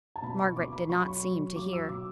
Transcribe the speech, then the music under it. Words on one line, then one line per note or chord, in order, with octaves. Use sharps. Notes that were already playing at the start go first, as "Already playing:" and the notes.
Margaret did not seem to hear.
A5
B2 B5
C#6
B2 D6
B5
F#3 C#6
B5
C#6
F#3
F#3 D6
E6
B2 D6